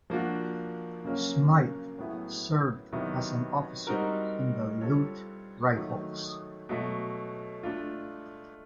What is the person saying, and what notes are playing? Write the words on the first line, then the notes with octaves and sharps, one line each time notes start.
Smythe served as an officer in the Louth Rifles.
F3 A#3 D4 F#4
C#3 F#3 A#3 C#4
A2 F#3 B3 E4 G#4
C3 D#3 F#3 B3 E4
G3 C4 D#4 F#4 A#4
G3 C4 F4 A4 C#5
D#3 F#3 A3
B2 F#3 A3
A3 D4 F4